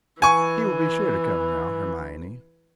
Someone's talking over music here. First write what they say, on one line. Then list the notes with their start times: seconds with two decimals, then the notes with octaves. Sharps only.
"He will be sure to come now, Hermione."
0.22 E3 G#5 C#6